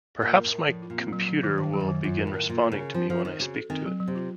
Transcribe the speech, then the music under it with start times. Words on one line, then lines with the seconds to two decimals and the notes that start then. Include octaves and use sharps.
Perhaps my computer will begin responding to me when I speak to it.
0.22 A#2 A#4
0.38 A#4
0.45 A2
0.52 A#4
0.67 A2 F3
0.82 F4
0.90 A#2
0.98 C4
1.13 F#3
1.28 F#3
1.43 D#3
1.58 A2 D#3
1.73 F#3
1.81 F#2
1.89 D#3
2.04 F#2 F4
2.19 A#4
2.27 A2
2.34 A#4
2.49 A#2 F4
2.64 A#4
2.72 C#3
2.79 A#4
2.94 F3 C4
3.09 F3 A4
3.25 D#3 C5
3.40 C#3 F#4
3.55 A4
3.70 D#3 C4
3.86 F#3
4.00 F#3
4.08 C3
4.15 F4